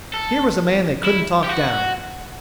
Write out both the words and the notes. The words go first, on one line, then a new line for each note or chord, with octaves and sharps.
Here was a man they couldn't talk down.
A4
E4
G4
F#4